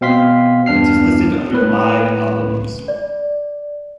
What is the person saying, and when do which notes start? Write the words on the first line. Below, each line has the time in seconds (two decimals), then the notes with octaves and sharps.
It is listed under Live albums.
0.01 B2 C4 F5 C6 B6
0.66 E2 G2 D4 F6 C7
1.53 A2 B4
2.88 D5